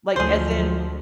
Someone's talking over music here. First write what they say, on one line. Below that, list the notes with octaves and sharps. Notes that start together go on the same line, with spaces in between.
Like, as in
D2 F3 F#3 G#4 C5